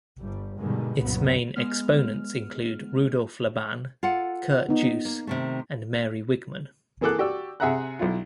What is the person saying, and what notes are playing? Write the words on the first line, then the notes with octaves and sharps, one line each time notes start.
Its main exponents include Rudolf Laban, Kurt Jooss, and Mary Wigman.
G1 G3
G2 B2 D3 D#3 G3 G#3
C2 F#2 A#2 C#3 F#3 B3
G#3 B3 F6
F4 A4 F#5
B3 D#4
A#3
C3 D#3 A3
E3 A#3 G#4 A4 D6 F#6
F#4 G4 D5 E6
C3 G#4 E5 F#5 A#5 F#6
B1 E4 F4